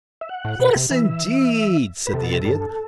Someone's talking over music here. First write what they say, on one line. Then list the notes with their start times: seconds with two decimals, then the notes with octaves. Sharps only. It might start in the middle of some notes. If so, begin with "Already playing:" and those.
"Yes, indeed," said the Idiot.
0.21 E5
0.29 F#5
0.45 A2
0.60 B2
0.76 C3
0.91 E3 E5
2.07 B4
2.14 C3 A4
2.23 B2
2.32 C3
2.45 G2